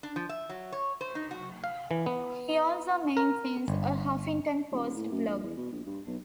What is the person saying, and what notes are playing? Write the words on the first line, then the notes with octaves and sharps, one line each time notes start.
He also maintains a "Huffington Post" blog.
D4
F3
E5
F#3
C#5
C5
D#4
F#4
F5
E3
B3
A#4
G1
D#1
A2
F#2
A#1
E2
B2
A#1
G2
B1